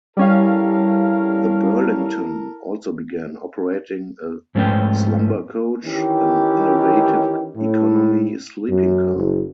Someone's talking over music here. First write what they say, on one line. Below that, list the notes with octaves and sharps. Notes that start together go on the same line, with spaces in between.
The Burlington also began operating a slumbercoach, an innovative economy sleeping car.
G3 C#4 E4 A4 A#4 F5
G#2 F3 A3 C#4 B4 G5
D#3 E3 C#4 G4
A2
F#2
F#1